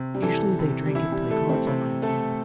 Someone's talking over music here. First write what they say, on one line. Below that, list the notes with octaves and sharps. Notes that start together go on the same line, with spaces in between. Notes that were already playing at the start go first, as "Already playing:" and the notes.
Usually they drink and play cards all night long.
Already playing: C3
G3
E3 A4
C3
G3
E3 E4
G3
A3 A4
C4
C3
A3 A4